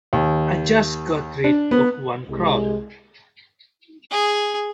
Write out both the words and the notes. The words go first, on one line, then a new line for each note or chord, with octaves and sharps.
I just got rid of one crowd.
D#2
D4
B3
C2 G#3
G#4